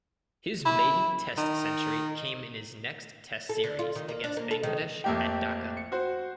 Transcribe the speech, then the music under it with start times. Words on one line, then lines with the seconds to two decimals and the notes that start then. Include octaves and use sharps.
His maiden Test century came in his next Test series against Bangladesh at Dhaka.
0.66 E4
1.38 D#3
3.49 A4
3.64 D3
3.79 F4
3.95 D#3
4.09 A#3
4.24 D4
4.37 A#3
4.51 A4
4.63 D#3
5.04 F2 A3 A#3 G4 G5
5.77 C#7
5.92 F#4 C5